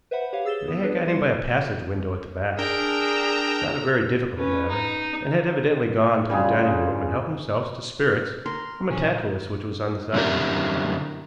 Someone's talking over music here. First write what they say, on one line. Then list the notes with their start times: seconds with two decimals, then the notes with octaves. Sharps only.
They had got in by a passage window at the back--not a very difficult matter--and had evidently gone to the dining room and helped themselves to spirits from a tantalus which was on the sideboard.
0.11 B4 C5 E5 F#5 B5
0.33 G4 B4 C#5 F5
0.45 G#4 E6 A6 E7 G7
0.68 B3
0.82 B3 D4 G#4 B4
1.07 G3 C6 C7 C#7
2.59 D4 G#4 A#4 G5 A#5 E6
4.36 C#4 B4
4.69 D#4
6.30 C#3 G3 F4 G#4
8.46 A#4 C6
8.90 A#2 D#3 F3 C#4
10.13 F#2 D3 C4 E4 G4 A#4